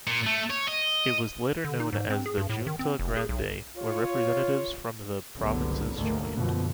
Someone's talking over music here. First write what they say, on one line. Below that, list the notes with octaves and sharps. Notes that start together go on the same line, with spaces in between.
It was later known as the "Junta Grande" when representatives from the provinces joined.
A#2
A3
C#5
D#5
D3
D#4
G#2
C4
G#4
G2
A2
D#3
C4
F1
G#4
B1
F4 C#5
F#1 C2 A2 D3 F#3 B3
G#1 D2 D3 D#3 A3 A#3
F#2 B2 D3 F3